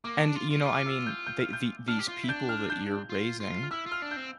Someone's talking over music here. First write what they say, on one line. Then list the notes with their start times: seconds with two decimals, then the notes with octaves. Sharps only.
And you know, I mean, they the these people that you're raising
0.04 A#3 D6
0.20 D4
0.35 F4
0.51 F4
0.61 G4
0.65 F4 D6
0.86 E6
1.06 G6
1.27 G6
1.40 F6
1.53 G6
1.88 D4 F6
1.99 G4
2.08 F4
2.24 E4
2.28 D4 G6
2.49 F6
2.70 G6
3.09 F4
3.40 F4
3.63 F6
3.71 E4 E6
3.86 F4
3.92 F6
4.02 D4
4.11 G6
4.16 C4